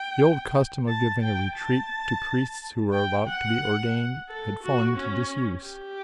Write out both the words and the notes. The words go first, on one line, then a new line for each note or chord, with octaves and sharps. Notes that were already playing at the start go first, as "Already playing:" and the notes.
The old custom of giving a retreat to priests who were about to be ordained had fallen into disuse.
Already playing: G5
A5
G5
A5
G5
F#5
A4
F#4
C#4
G4